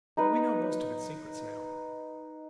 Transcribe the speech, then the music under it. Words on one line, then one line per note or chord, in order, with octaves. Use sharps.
But we know most of its secrets now.
D#4 B4